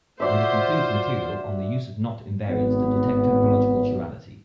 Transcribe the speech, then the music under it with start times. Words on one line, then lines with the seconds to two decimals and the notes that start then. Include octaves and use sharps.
And it includes material on the use of knot invariants to detect topological chirality.
0.20 F4 F#4 C5 D5 E5
2.48 G#1 B3